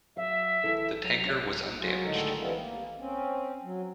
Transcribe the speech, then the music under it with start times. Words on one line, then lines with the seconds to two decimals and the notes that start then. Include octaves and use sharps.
The tanker was undamaged.
0.16 F#3 E5 F5
0.63 E3 E4 A4
1.04 F#3 F7
1.25 D4 C#5 E5
1.79 F#3 C#4 F4
2.03 A2 D3 D#3 G#3 D#4 A4
2.39 E3 G3 B3 C4 E4 F4
2.59 A#3
2.99 C4 C#4
3.64 F#3